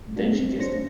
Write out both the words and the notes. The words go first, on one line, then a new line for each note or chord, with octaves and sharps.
And then she kissed him.
G#3 A3 B3 D4 F#4
C4
C#4 D4 C5 A#6 C#7